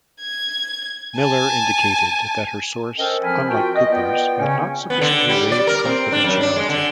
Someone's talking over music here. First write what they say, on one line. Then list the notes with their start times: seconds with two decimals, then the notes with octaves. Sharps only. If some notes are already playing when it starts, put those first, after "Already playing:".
Miller indicated that her source, unlike Cooper's, had not sufficiently waived confidentiality.
0.20 G#6
1.17 G#5 A5
2.98 C#4 A4 A#4 C5 D#5 G5
3.23 F3 C4 G#5 A5 B5 F6
3.48 F4 F#4 A#4 G5
3.75 D#5
3.89 B3 F4 B4 D5 G5
4.39 C#3 C#4
4.90 B3
5.01 D3
5.30 G3
5.52 D5
5.67 A#4
5.85 C4
6.12 D4
6.24 F#2
6.41 D4
6.56 G#3
6.69 D3